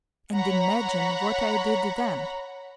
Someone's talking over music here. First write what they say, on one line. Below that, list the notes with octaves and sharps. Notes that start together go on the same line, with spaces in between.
And imagine what I did then!
C#5 F#5 A#5 B5